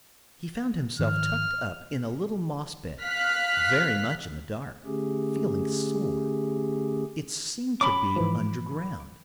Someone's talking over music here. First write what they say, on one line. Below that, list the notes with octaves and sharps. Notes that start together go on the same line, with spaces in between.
He found himself tucked up in a little moss bed, very much in the dark, feeling sore; it seemed to be under ground.
G#2 D#3 F3 F6
F5 F6 F#6 B6
D3 A3 C#4 G4 G#4
C#4 B5 D6
G#2 E3 F3